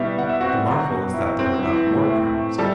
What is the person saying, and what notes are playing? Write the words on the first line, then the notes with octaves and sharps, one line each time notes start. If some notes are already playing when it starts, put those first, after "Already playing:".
The marvel is that there were not more crimes.
Already playing: B2 G3 E4 E5
B2 F#5
E5
C4 F#4 F#5
F#3
B2
E4
C4
E3 E4 E5
A2
A2
A3
G3 A4 A5